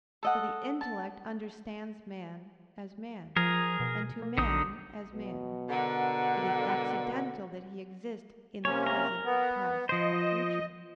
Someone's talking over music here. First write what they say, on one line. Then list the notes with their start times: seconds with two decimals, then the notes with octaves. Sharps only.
For the intellect understands man, as man: and to man, as man, it is accidental that he exist in the present, past, or future.
0.23 A4 D#5 F#5
0.81 A5
3.36 F3 G#4 A#4
3.80 B2
4.22 A#3
4.38 A#1 D3 D#4 D#6
5.14 B2 F#3
5.70 D3 A#4 F#5
8.65 C3 A#3 C#4 C#5
8.86 A#4
9.25 B3
9.89 F3 C5 D#5